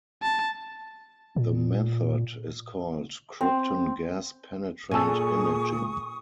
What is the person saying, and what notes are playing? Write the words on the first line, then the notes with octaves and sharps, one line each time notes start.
The method is called "krypton gas penetrant imaging".
A5
A#2
C4
A#2 G#4 A4 G#5 C#6 D#6